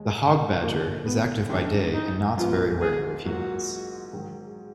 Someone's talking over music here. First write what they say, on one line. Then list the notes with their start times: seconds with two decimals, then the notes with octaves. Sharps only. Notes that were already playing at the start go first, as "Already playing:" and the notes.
The hog badger is active by day and not very wary of humans.
Already playing: D#2 D#3 G#3
0.61 D#2 D3 F3 A#3
1.05 B3
1.49 F#2 D#3 G#3 D4
1.93 D#4
2.37 A#1 G#2 F3 B3 F4
2.81 G#4
3.25 G#2 F#3 A#3 F4 F#4
4.13 G#2 D#3 F#3